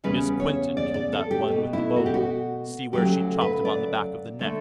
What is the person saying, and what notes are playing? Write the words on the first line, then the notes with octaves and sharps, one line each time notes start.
Miss Quinton killed that one with the bolo; see where she chopped him on the back of the neck?
E2 C#3 G3 B3 B4
C#5
D5
D5
A4
G4
B2 A3
E4
F#4
G4
F#4
D2 C#3 F#3 A3 G4
B4
D5
D3 A3